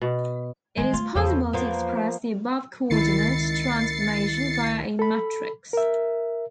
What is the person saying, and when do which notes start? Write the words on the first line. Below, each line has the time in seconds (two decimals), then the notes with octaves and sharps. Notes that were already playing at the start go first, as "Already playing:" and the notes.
It is possible to express the above coordinate transformation via a matrix.
0.02 B2
0.77 D#3 E3 G#3
0.93 A3 F4
1.15 E2 C#3 F3 A4
1.53 F3 A#3 B3
2.90 C#2 D#3 E4 A6 C7 C#7
4.99 A4 B5
5.73 A#4 E5